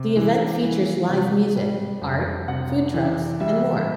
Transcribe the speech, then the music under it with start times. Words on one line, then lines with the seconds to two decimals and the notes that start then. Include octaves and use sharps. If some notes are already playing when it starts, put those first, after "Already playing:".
The event features live music, art, food trucks, and more.
Already playing: C3
0.17 E3
0.63 E3
1.09 C3
1.56 G3
2.01 F2
2.48 C3 F#5
2.94 E3
3.40 G3 E5